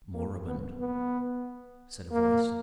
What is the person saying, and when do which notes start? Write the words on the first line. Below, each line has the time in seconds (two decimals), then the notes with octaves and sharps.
"Moribund," said a voice.
0.14 A#3
0.47 B3
0.80 B3
2.11 A#3